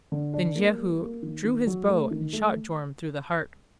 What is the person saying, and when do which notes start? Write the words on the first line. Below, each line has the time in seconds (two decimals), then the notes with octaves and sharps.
Then Jehu drew his bow and shot Joram through the heart.
0.12 D3
0.33 D4
0.55 A#3
0.77 G3
1.01 A#3
1.23 D#3
1.45 D#3
1.67 F#3
1.89 A3
2.11 D#3
2.33 A3